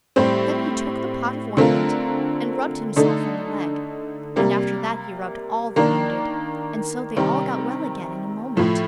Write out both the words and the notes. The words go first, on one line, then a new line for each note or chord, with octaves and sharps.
Then he took the pot of ointment and rubbed himself on the leg, and after that he rubbed all the wounded, and so they all got well again in a moment.
A2 G3 C4 G4 C5
D3 A3 C4 F4 A#4
D3 A3 D#4 A4
C3 G3 A#3
D#3 A#3 D4
C3 D#3 G3 C4
A2 F3 A3